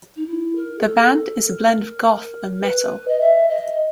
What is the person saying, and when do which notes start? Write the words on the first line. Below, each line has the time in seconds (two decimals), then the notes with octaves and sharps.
The band is a blend of Goth and Metal.
0.16 D#4
0.26 E4
0.55 A#4
0.78 G#4
0.84 A4
1.44 A#4
2.61 B4
3.08 D#5
3.20 E5
3.49 D#5